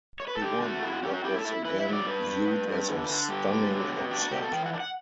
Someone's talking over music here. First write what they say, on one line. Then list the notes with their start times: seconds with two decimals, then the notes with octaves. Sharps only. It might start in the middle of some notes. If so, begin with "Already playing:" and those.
He won in what was again viewed as a stunning upset.
0.20 C#5
0.27 B4
0.35 A4
0.42 D3 G4
0.62 A3 F#4
0.82 E4 F#4
0.93 F#4
1.03 C#4 G4
1.13 F#4
1.24 E4 G4
1.38 A4
1.45 E4
1.65 E4 B4
1.79 E5
1.86 F#3
1.93 D5
2.07 G2 B4
2.27 G2
2.48 G2
2.68 G2
2.88 D3
3.09 D3
3.29 G2 G4
3.49 D3
3.70 F#3
3.91 B2
4.11 D4 G4
4.21 F#4
4.32 B2 G4
4.42 A4
4.52 E3 G5
4.66 F#5
4.73 D4
4.80 F#5